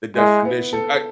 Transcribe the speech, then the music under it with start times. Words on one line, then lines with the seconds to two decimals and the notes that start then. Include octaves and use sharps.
the definition I
0.17 G#3 E4
0.45 B3
0.73 A4